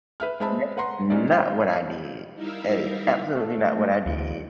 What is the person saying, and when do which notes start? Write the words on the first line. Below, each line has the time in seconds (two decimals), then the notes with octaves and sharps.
and that's not what I did. That is absolutely not what I did.
0.20 B4 E5 F6
0.40 G#3 C4 E5 A5 B5
0.77 B4 F#5 A#5 C6
1.10 G3 G#3 C#4 D#4 G#4 D5
1.31 C5 G5 G6
2.35 G3 D#4 E4 A#4 E5 F5
3.35 A3
4.06 D2